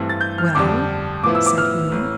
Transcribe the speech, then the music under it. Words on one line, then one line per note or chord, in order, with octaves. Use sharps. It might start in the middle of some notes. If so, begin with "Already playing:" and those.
"Well?" said he.
Already playing: G2 E3 A3 C4 E4
A6
G6
F6
F2 D3 G3 D4 D6
A2 F3 B3 E4 D6
E6
D6
F6
A1 E3